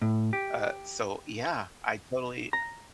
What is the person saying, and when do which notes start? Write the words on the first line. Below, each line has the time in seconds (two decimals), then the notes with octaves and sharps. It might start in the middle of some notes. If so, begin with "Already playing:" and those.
Uh, so yeah, I totally
0.02 A2
0.33 G4
2.53 A#5